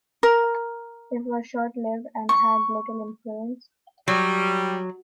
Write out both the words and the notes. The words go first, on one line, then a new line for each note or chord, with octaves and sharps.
It was short-lived and had little influence.
A#4
C#6
F#3 G3